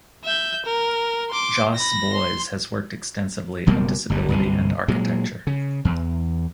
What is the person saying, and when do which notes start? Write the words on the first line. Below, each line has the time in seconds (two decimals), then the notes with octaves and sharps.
Jos Boys has worked extensively on disability and architecture.
0.24 E5 G6
0.65 A#4
1.30 C6 D6
1.75 B5 A#6
2.13 C6
3.67 F#1 B2 G3 A#3
4.10 G1 D2 G3
4.29 G1 C2 C3
4.88 A#2 F#3 G#3
5.47 C#3
5.85 E2